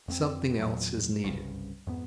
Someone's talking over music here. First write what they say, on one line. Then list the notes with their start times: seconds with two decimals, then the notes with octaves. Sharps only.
Something else is needed.
0.08 F2 A#3 C4
0.58 E2 A#2 F#3
1.23 F#1 C2 G2 C#3
1.87 F2 G#2 B3